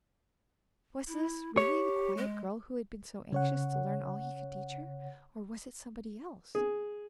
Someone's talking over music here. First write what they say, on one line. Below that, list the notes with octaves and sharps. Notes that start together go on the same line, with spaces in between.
Was this really the quiet girl who had been so anxious to learn all he could teach her, or was it somebody else?
E4
G4 C#5
G#3
C#3 C#5 F#5
G#4